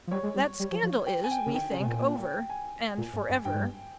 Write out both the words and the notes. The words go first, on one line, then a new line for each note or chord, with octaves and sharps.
That scandal is, we think, over,--and for ever.
F3
G3 C#5
G#3
G3
G3
F3
F3
G5
G#5
G5
C#3
D#3 G5
C#3
C3
A#2
G#5
A#2
G#2
G2
G2 G5
G#2
G2